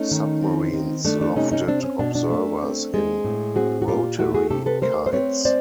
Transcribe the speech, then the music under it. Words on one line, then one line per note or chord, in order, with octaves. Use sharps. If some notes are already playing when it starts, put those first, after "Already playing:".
Submarines lofted observers in rotary kites.
Already playing: A3 C#4 D#4
D#3
C4
D#3
A3 D4
D4
C3 C#4 D#4
C#4 D#4
C4 D4
C#4
B2 D4
D4
A3
C4
G#3
A2
C4 F#4 G#4
F#4
A#2 F4 G4
A3 E4 F#4
F#4 G#4
C3 G4 A4
A4 B4
A3 A#4 C5
C5
C4 B4 C#5
G#3 C5 D5